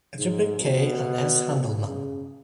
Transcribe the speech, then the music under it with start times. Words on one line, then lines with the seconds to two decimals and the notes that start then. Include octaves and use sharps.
Alibek, K. and S. Handelman.
0.18 G#2
0.60 B2
1.85 C#3